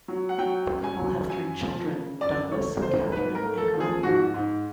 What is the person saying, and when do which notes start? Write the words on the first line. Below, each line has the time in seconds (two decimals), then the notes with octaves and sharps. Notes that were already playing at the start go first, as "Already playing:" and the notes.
The couple have three children, Douglas, Catherine, and William.
0.08 F#3
0.29 F#5
0.38 F#3 G5
0.68 F#2
0.84 G#5
0.99 F#3
1.29 F#2 G#5
1.60 F3
1.91 C#3
2.21 F#2 D5
2.52 A3 C#5
2.82 A3 C5
3.12 G#2 B4
3.35 A#4
3.43 A3
3.57 A4
3.73 F3
3.80 G#4
4.03 G#2 F#4
4.34 G#2